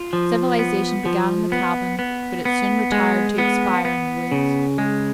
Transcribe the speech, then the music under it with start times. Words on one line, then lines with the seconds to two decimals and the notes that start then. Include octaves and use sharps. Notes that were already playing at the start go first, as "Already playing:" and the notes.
Civilization began in the cabin, but it soon retired to expire in the woods.
Already playing: F4
0.13 F3
0.59 B3
1.06 F3
1.52 B3
1.99 B3
2.45 B3
2.92 G#3
3.38 B3
3.85 B3
4.32 C#3
4.78 G#3